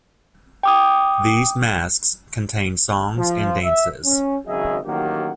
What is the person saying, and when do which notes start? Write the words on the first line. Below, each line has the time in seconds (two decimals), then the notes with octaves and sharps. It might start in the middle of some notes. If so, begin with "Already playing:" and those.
These masques contained songs and dances.
0.63 G5 D6 D#6
3.17 F3
3.62 E5
4.05 C#4
4.46 G#1 C#3 F#3 G#4 D#5 E5
4.85 A1 D#3 F#3 A#3 G4 F#5